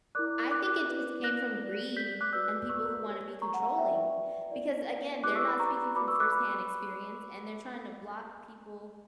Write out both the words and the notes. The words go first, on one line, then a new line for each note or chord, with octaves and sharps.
I think it just came from greed and people who wanna be controlling. Because, again, they're not speaking from firsthand experience, and they're trying to block people,
E4 A#4 D5 D6 F#6
D6 F#6
D6 F#6
E4 B4 D5
F#6 A#6
F#4 A#4 D5
G6 B6
D6 F#6
F#4 B4 D5 E6 G6
C#6 E6
G4 A#4 C#5
A#5 C#6
F#5 A#5
F#5
F#4 B4 D5 E5 G5
E4 A#4 D5
E4 G4 B4 D5 D6 F#6
C#6 E6
B5 D6
A#5 C#6
F#4 B4 D5 B5 D6
C#6 E6
D6 F#6
B5 D6